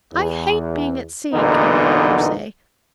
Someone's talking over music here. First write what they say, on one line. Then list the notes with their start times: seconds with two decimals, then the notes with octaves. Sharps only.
"I hate being at sea," Katy heard her say.
0.12 E2
1.32 B1 E2 A#2 D3 B3 D#4